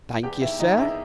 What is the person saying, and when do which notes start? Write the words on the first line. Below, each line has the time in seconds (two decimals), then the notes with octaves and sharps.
"Thank you, sir."
0.23 E2 G4 G5
0.41 D#3 E4 E5
0.60 D#3 D#4 D#5
0.77 E2 E4 E5